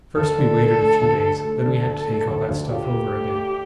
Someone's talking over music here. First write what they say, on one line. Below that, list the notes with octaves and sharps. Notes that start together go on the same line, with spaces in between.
First we waited a few days; then we had to take all that stuff over again.
D2 A4
D3
A3
A3
D2
D2
A3 A4
D3
D2
A3
D2
D2
F4 G4
A3
A3
A3